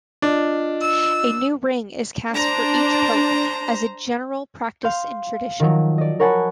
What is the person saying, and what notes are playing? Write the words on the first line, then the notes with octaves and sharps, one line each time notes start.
A new ring is cast for each Pope as a general practice in tradition.
D4 F4 D#5
E6
D4 C5 A#5
F5 C6 G6
D#3 F3 F#3
D5 D#5
A#4 C#5 F#5 G#5 A5 B5